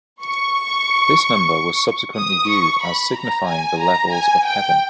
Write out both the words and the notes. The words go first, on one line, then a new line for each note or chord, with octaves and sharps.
This number was subsequently viewed as signifying the levels of heaven.
C#6
D#6
C#6
B5
A#5
G#5
A#5
G#5
G5